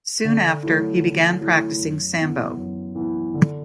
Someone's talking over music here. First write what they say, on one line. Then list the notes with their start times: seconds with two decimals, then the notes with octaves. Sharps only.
Soon after, he began practicing sambo.
0.25 D3
0.63 F#3 A3 E4
1.01 D3
1.41 F#3 A3 E4
1.79 F#2
2.18 E3 B3
2.57 F#2
2.95 E3 B3
3.34 D3